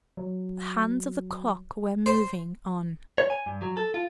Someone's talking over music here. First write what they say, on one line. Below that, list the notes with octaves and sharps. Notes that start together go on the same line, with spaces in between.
The hands of the clock were moving on.
F#3
C5
C#5
G#5
G2
F#3
A4
F4